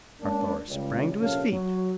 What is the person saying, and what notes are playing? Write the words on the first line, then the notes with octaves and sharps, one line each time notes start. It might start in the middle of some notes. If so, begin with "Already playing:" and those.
Carthoris sprang to his feet.
G#3 A#3 C#4 D4
C#2 G3
A#1 C3 C#4 A4 F5
F#3